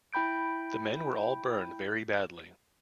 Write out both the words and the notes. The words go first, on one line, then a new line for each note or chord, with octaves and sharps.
The men were all burned very badly.
E4 G5 B5 G6 D7